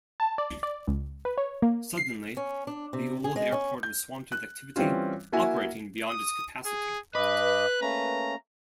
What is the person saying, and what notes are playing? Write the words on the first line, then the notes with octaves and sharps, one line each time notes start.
Suddenly, the old airport was swamped with activity, operating beyond its capacity.
A5
D5
D5
C#2
B4
C#5
A#3
C7
C#4
D4
C3
G#4
G#3
C#4
G6
F#6
E3 G3 C4 C#4 F4
A#3 E4 F#4 E5 G#5
D#6
G#4
G2 B4 D#5 D6 F#6
A3 A#3 C#4 A#5